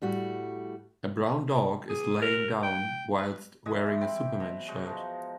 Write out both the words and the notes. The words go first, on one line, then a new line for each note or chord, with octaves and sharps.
A brown dog is laying down whilst wearing a superman shirt.
A2 G3 F#4
G#4
A#4
G5
B4
E3 G#3 D#5 G#5
E3
C4 G5 B5
B2
F#3 G#3 D#4
B2 F3